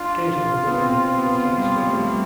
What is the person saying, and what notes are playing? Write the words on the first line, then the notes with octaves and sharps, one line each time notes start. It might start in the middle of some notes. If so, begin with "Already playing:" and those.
Occasionally, one of the men would tell a story.
Already playing: D4 F4
B3
C4
B3
G3
G3
A3
G3